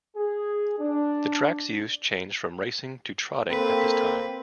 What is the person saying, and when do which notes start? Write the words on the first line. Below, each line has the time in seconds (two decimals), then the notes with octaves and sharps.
The track's use changed from racing to trotting at this time.
0.16 G#4
0.79 D4
3.50 A#3 C4 A4 B4